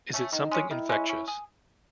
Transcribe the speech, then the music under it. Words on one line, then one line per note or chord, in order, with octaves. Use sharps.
Is it something infectious?
A3 C#4
D#3 D#4
G#3 C#4
D#3 E4
G#3 C#4
C#4
G#4